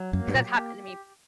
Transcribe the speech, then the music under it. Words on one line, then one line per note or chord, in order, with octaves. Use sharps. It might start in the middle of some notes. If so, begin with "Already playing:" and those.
'cause that's happened to me
Already playing: F#3
F#2 A#3
G2
A#2
G4